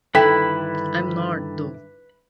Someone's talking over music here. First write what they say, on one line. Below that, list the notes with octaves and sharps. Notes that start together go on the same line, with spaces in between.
I'm not, though.
G2 D3 D#3 E4 A4 B4 G5 B5